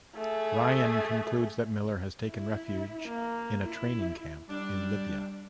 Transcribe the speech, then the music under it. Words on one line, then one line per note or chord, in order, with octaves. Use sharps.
Ryan concludes that Miller has taken refuge in a training camp in Libya.
A3 G#4
E4
A#3
E4
G3 D4